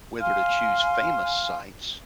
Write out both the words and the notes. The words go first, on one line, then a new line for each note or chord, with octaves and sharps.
whether to choose famous sites
F5 G#5 C6 F6